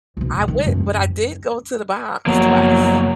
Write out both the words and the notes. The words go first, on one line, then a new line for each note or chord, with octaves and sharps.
I went but I did go to The Bahamas twice,
B1 B2
F2
D#3 G3
F#2 E3
F#1 C#2 F3 F#3 A#3 B3